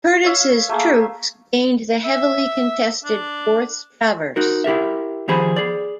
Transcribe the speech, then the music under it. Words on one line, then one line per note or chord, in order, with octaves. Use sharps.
Curtis's troops gained the heavily contested fourth traverse.
C#5 E5 F5
A3 A#3 G#4
E5
D4
D#4 F#4 A#4
E4 G4 A#4 E5
D#3 F3 G4 G#4 C5 B5
G#4 D5